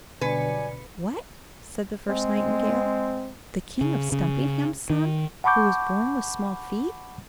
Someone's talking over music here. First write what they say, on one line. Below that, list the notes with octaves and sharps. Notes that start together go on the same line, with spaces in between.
"What!" said the first nightingale--"the King of Stumpinghame's son, who was born with small feet?"
G2 B2 D3 F#3 B4 D5 G#5 C#7
G#3 C4
C#3
C#3
D#3
F#5 A5 B5 C#6 D6 G6